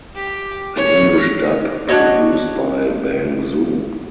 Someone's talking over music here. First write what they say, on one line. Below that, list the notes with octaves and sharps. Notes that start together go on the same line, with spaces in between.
An English dub produced by Bang Zoom!
G4
C#5
D4 F#4 C#5 D#5